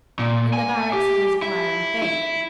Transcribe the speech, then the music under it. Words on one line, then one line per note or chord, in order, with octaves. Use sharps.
In the barracks he was acquiring fame.
A#2
G#5
G4
E4
E4